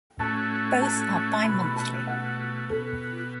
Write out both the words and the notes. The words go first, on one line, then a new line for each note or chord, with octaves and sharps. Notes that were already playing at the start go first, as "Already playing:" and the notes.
Both are bi-monthly.
A2 A3 C#4 F#4 A5
A5
B2 A3 F#4 B5
B5
A5
F#5
B2 B3 F#4 A4